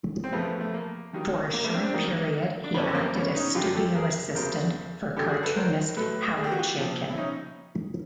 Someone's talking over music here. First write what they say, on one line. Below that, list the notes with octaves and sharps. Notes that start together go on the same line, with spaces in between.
For a short period he acted as studio assistant for cartoonist Howard Chaykin.
C4
F2 C#3 F3 A3 B3
A3
A#3
G2 D#3 F#3
A#3
A3 B3
C4 D4
C4 D4
G#2 D#3 F#3 A#3
D4
F#2 D3 F3 B3 C#4
C#4
A#3 C4
B3 C#4
C#4 D#4
F#2 D3 F#3 F4 G4
G4 A4
G#4 A#4
E2 C#3 F#3 A#4 C5
F#2 D3 F#3 G4 A4
F#4 G#4
A4 B4
A#4 C5
A2 F#3 A4 B4
G#4
G4
F#4
F4 G4
A#2 F3
E4
C#4 D#4